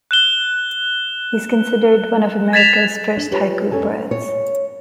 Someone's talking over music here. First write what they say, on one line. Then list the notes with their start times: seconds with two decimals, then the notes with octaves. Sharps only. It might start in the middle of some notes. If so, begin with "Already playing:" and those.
He is considered one of America's first haiku poets.
0.11 F#6 E7 G7
2.53 G#6 A6 B6 E7 F7
3.17 D4
3.31 F4 G4 B4 C#5
3.71 F2 C#4 A4 G#5 A5
4.11 C#5